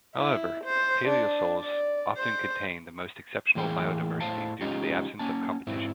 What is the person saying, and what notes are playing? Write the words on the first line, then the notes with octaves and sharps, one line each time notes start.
However, paleosols often contain the most exceptional biodiversity due to the absence of competition.
E4
C5
D4
D5
C5
A2 E3 A#3 G#4 G5
A2 C5 F5 A5
G#3 C#4 D#4 F4 G4
A#3 C#4 A5
G#2 C4 E4